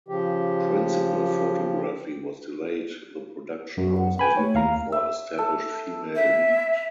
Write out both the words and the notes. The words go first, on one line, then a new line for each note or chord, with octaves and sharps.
Principal photography was delayed the production house was looking for established female lead.
C#3 F3 G4
F#2 F#4
F#5
B4 G5 G#5 B5
A3 C#5
D#2 F5 A#5
E5
A4
E5